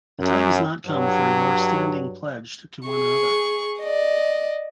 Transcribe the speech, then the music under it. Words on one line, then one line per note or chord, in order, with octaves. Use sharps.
The time is not come for your standing pledged to one another.
F#2
G2 F#3
G#4 C#6
D5 D#5